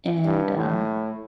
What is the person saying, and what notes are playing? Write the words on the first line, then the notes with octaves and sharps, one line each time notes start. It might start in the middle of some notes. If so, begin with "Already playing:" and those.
And, uh,
G2
A2